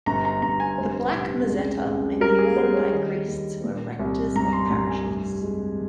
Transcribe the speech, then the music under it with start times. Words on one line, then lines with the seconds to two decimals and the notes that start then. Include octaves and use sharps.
The black mozzetta may be worn by priests who are rectors of parishes.
0.06 G1 A#5
0.25 A#5
0.42 G1 A#5
0.60 G#5
0.78 F1 C5
1.13 C3
1.49 C#2
1.85 C#2
2.20 G3 A#4
2.39 G#4
2.56 G3 C5
2.74 C#5
2.92 D#3
3.28 D#2
3.64 A#2
3.99 C2
4.35 G2 A#5
4.53 C6
4.71 G2 A#5
4.89 G#5
5.07 F1
5.42 G#3